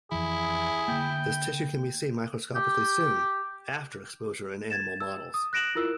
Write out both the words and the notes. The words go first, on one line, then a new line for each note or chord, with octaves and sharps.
This tissue can be seen microscopically soon after exposure in animal models.
F2 E3 E4 G#4
D3 A#3 G5
G4
G#6 A6 E7
E6
D#6
F#6 A#6 D7 E7 F#7
E4 F4 A#4 E6